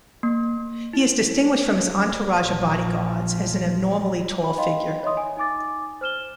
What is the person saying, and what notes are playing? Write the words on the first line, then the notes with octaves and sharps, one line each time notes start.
He is distinguished from his entourage of bodyguards as an abnormally tall figure.
A#3
E4
A#1 F3
B5
D#4 D#5 F5 G5 B5 C6
C#5 D#5 E5 C6 D#6
G#5
D#4 G#5 D6 A6
C5 F6 E7 G7